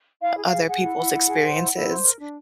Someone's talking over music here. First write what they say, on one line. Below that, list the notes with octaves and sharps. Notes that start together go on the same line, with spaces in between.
other people's experiences.
E4 F5
G#4
F5
G#4
G#4 F#5
E4
E4
E4
G#4
C5
E4
E4
C5
A#4
D4